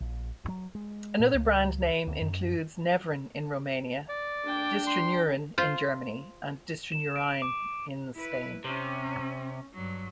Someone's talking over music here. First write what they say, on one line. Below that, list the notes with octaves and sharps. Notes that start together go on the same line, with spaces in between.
Another brand name includes Nevrin in Romania, Distraneurin in Germany and Distraneurine in Spain.
A#1
F#3
G#3
A#2
C#2
D2
F#2
D5
D4 G5
C6
F4 C5
E7
D7
D6
E4 B4
C3 C#4
G2 F#3